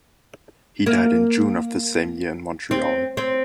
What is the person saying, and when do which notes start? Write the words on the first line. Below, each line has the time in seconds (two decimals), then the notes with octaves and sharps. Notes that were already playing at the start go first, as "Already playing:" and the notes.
He died in June of that same year in Montreal.
0.86 A#3
2.71 C4
3.17 C4